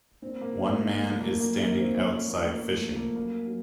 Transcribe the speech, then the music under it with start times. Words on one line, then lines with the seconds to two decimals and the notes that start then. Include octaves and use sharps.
One man is standing outside fishing.
0.22 A#2 C4
0.41 A#3
0.52 F#3
0.61 A#3
0.80 A#2 A#3
1.01 A3
1.10 F3
1.21 A#3
1.40 F#2 A#3
1.60 A#3
1.69 D#3 F#3
1.78 C4
1.99 A#2 C#4
2.13 C#4
2.27 F3 A#3
2.42 A3
2.57 A2 A#3
2.77 A3
2.86 F3
2.96 A#3
3.15 F#2 A#3
3.45 F#3